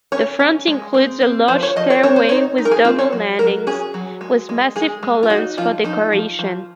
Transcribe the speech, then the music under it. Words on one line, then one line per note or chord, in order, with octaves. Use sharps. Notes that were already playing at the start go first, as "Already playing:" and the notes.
The front includes a large stairway with double landings, with massive columns for decoration.
C#4 C#5
C#4
G#3
C4
C4
F3 C5
C#5
F3 D#5
C#5
C4 C#5
C5
D#4 C#5
D#4
A#4
G#4
C4 F4
C#5
F#3
F#3 A#4
C#4 G#4
F#3
G#3
G#3
G#3 G#4
G#3
F4
D#4 F#4
F3 F4
F3 D#4
F3
F3